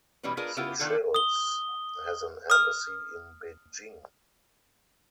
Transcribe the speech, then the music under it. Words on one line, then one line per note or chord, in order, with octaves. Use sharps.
Seychelles has an embassy in Beijing.
B2 E3 G3 C#4 B4
D4 F4 G#4 A#4 B4
C#3 B3 E4 F4 G4
D#3 D4 F4 A4
D#6 G7
D#6 F6